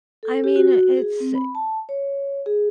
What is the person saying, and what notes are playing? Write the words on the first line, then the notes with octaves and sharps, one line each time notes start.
I mean, it's
A4
G4
F#4
G#4
C4
B5
A5
C#5
G#4